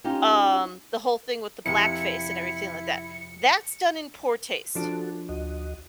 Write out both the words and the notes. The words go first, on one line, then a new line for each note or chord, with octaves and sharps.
Um, the whole thing with the blackface and everything like that. That's done in poor taste
C#4 D#4 F4 G4
F2 C3 E4 C#7
F3 D4 F#4 A4
D2 F#4 D#5